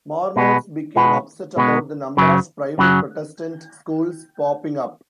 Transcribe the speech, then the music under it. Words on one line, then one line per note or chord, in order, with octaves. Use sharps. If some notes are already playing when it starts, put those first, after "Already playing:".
Mormons became upset about the number of private Protestant schools popping up.
B2 G#3 B3
B2 G#3 B3
B2 G#3 B3
F#2 C#3 F#3
F#2 C#3 F#3